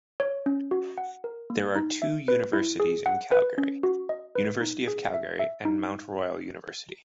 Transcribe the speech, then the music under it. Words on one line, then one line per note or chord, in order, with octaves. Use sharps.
There are two universities in Calgary: University of Calgary and Mount Royal University.
C#5
C#4
F#4
F#5
A#4
A#3
D#4
E5
B4
E4
G#4
F#5
B4
C#4
F#4
D#5
B4
D#4
G#4
E5
E5
D#4